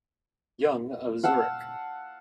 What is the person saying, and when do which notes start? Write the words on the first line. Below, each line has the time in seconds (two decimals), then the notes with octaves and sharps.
Jung of Zurich.
1.23 F5 F#5 A5 E6